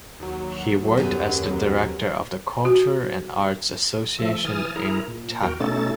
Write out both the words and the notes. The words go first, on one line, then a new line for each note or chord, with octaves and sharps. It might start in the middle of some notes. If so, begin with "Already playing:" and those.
He worked as the director of the Culture and Arts Association in Tabuk.
D#2 F#3
F#2 B3 G4 G#4
F#4
F3 A3 E5
E3 G#5 D#6 F6 A6
E4 G#4 A#4 A#5
A#2
E2 F#4 A#4 G5
B2 A3 C#4 D#4 A4 A6